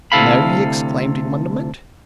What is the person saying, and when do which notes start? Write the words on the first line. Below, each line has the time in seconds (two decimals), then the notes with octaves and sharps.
"No?" he exclaimed, in wonderment.
0.12 D2 C3 E4 A4 F5 B5